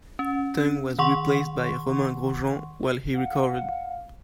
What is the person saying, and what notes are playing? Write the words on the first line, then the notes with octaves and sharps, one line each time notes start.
Tung was replaced by Romain Grosjean while he recovered.
C#4
D#3 F#5 C6 C#6
F5 F#5